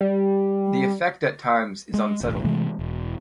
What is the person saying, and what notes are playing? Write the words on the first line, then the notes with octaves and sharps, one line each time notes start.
The effect at times is unsettling.
G3
G#3
E1 A1
C3 E3 G#3 A3
E1